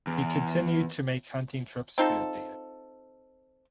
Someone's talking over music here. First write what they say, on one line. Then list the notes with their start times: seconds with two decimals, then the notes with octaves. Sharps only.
He continued to make hunting trips to India.
0.07 E2
1.98 C4 D#4 F4 A4